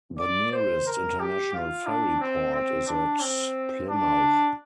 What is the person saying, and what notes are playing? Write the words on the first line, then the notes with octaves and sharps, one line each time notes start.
The nearest international ferry port is at Plymouth.
D5
C5
A#4
G4
F4
D4
C4
C4
D4
C4
D4